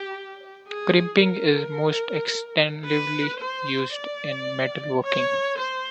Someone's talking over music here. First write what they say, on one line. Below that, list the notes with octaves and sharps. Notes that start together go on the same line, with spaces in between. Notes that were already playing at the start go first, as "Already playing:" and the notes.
Crimping is most extensively used in metalworking.
Already playing: G4
G#4
A#4
B4
C5
D5
C#5
C5